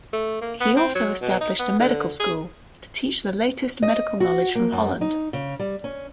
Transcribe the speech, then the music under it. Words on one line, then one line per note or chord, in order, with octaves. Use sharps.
He also established a medical school to teach the latest medical knowledge from Holland.
A3
A#3
B3
C4
F#3
B2
D#4
B3
D3
G#4
D#5
F#4
A#3
F#2
D#4
C#3
G3
C#4